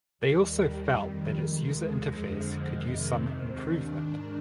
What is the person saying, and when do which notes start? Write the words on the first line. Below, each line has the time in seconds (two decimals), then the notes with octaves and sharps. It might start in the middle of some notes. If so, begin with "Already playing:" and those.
They also felt that its user interface could use some improvement.
0.18 D#2 D#3 G3
0.80 F2 D#3
1.42 D#2 D#3 G#3
2.03 F2 D3 F3
2.65 F2 C3 D#3
3.27 D#2 D#3 C4
3.58 D4
3.88 G#2 D#3